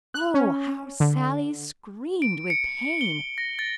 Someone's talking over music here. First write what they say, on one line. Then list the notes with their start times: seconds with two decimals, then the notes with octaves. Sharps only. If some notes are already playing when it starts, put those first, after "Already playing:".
Oh, how Sallie screamed with pain!
0.14 F#6
0.34 C#4
1.00 D3
2.22 D7
2.50 C#7
3.01 G7
3.38 A#6
3.59 A6